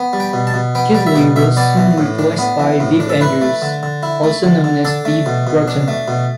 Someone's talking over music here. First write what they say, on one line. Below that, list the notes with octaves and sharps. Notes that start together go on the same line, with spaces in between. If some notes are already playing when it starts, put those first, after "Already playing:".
Kitley was soon replaced by Viv Andrews, also known as Viv Broughton.
Already playing: B3
G3
G5
B2
A5
B2
B3 G5
G3 G5
E5
B2 G5
B2 E5
B3 D5
E3
A2
D4
B3
E3
A2
D4
A4
E4 B4
A3
D3
D3
E4
A3
D3
D3
D4 A4
A3
B2
B2
D4
A3
B2